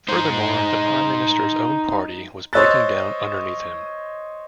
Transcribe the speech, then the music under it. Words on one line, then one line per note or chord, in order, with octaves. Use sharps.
Furthermore, the Prime Minister's own party was breaking down underneath him.
D#4 C5
C5 C#5 D#5 E6 F#6 A6